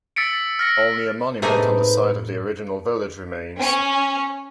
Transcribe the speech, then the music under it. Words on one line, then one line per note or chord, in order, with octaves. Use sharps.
Only a monument on the site of the original village remains.
E6 A6 B6 C#7 D7
F6 A#6 C#7
A2 C3 A3 A#3 C4 D#4 G#4 B4
C#4